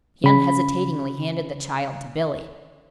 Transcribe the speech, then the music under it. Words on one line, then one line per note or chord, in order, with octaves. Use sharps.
He unhesitatingly handed the child to Billie.
C#3 B5